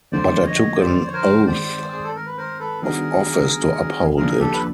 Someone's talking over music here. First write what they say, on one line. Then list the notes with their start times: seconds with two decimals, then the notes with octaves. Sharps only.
But I took an oath of office to uphold it.
0.12 F2 D3 F3 C5 D5
0.46 C#5 D#5
0.79 C5 D5
0.98 D5
1.06 C#5
1.13 A#4 C5
1.47 G2 D#3 G#3 C4 C5 D5
1.92 G#4
2.03 A4
2.15 A#4
2.26 B4
2.37 A#4 C5
2.59 A4 B4
2.82 D#3 G3 B3 D4 F#4 G#4 A#4
4.17 D#2 C#3 F3 A#3 D4 G#4 A#4
4.39 G4 A4
4.53 B4